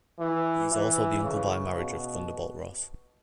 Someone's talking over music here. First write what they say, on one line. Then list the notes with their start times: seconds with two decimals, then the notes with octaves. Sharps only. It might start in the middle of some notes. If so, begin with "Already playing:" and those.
He is also the uncle-by-marriage of Thunderbolt Ross.
0.19 E3
0.72 E3
1.24 C#3
1.77 B2